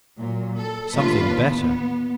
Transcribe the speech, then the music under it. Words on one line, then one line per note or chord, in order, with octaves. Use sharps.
Something better!
A#2 F#3
A4
D#2 A2 D3 F4 B4
B3